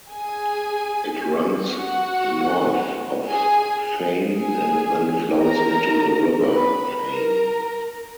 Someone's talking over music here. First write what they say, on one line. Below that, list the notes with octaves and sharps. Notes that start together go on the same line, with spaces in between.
It runs north of Thame and then flows into the River Thame.
G#4 G#5
F#4 F#5
G#4 G#5
G#4 G#5
A#4 A#5
B4 B5
A#4 A#5